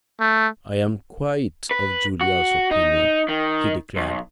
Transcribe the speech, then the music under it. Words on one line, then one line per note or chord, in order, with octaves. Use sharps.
"I am quite of Julius's opinion," he declared.
A3
B4
F#4
D#4
D#3
B1